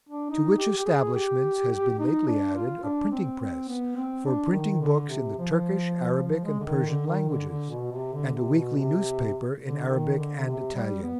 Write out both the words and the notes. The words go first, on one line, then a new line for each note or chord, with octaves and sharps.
To which establishments has been lately added a printing press, for printing books in the Turkish, Arabic and Persian languages, and a weekly newspaper in Arabic and Italian.
D4
D#4
G4
G4
G#4
G4
D#4
D4
F4
D4
C4
C4
B3
C4
D4
D#3
D3
C3
F3
F3
G#3
D3
D#3
D3
D#3
D3
D3
B2
C3
D3
C3
B2
C3
D3
D#3
D3
D3
C3
G3
B3